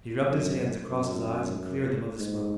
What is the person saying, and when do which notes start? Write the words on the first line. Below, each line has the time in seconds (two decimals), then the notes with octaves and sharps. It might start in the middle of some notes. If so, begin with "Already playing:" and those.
He rubbed his hands across his eyes and cleared them of the smoke.
0.28 F#2
0.91 F#2
2.17 G#2